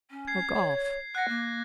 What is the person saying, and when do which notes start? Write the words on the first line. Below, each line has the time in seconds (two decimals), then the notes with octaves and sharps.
Or golf?
0.10 C#4
0.27 G#6 C7
0.55 C#5
1.15 F#5 F#6 A#6
1.28 A#3